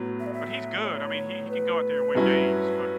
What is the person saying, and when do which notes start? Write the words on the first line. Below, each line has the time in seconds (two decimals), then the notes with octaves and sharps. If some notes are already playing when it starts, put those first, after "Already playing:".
but he's good. I mean, he he can go out there and win games, but
Already playing: A2 F#3 B3
0.20 E5
0.26 D5
0.33 E5
0.84 C#5
1.50 B4
2.15 G2 F#3 C#4 E4